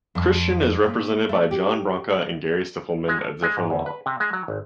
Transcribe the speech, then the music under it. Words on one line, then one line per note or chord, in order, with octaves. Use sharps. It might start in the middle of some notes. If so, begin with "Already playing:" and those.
Kristian is represented by John Branca and Gary Stiffelman at ZiffrenLaw.
F2
A#2
A3
G4
G#3
A4
G#3
G#2
E2
B4
C3
G#3
F#3
G#1